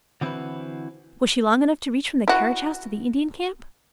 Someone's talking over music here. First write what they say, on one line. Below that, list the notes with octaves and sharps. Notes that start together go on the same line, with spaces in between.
Was she long enough to reach from the carriage house to the Indian camp?
D3 E3 C4 E4 F#4 B4
E4 F#4